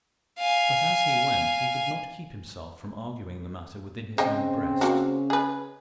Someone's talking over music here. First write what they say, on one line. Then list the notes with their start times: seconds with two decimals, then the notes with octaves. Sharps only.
But as he went he could not keep himself from arguing the matter within his own breast.
0.38 F5 G#5
4.18 C#3 C4 C5 D#5 G5
4.81 A#3 F#4
5.30 G#4 B4